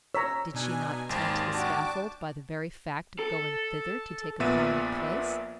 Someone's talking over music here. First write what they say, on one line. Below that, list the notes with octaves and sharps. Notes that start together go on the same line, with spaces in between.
Did she not tempt the scaffold by the very fact of going thither to take a prominent place?
C#5 A#5 E6 B6
B2 D4 D#4 G#5
G#1 D#2 G4 C5 A5 C6
D4 F#4 G5 A5 D6
A4
A#1 A#2 B3 E5 A6 D#7